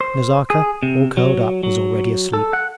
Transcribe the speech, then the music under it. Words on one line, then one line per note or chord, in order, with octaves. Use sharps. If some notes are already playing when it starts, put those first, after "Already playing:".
Nazarka, all curled up, was already asleep.
C5
G#4
C3
F#3
F#3
A4
F#5